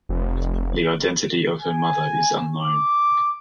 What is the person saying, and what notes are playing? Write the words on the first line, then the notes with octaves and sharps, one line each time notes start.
The identity of her mother is unknown.
F1
G#5
D6